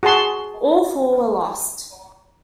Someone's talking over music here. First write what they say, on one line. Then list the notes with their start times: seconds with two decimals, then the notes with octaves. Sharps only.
All four were lost.
0.03 F#4 G#4 A5 C6